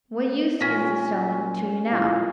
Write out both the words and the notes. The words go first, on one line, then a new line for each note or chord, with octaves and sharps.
What use is the stone to you now?
A#2 C#4 A#4
A#2 E4 F4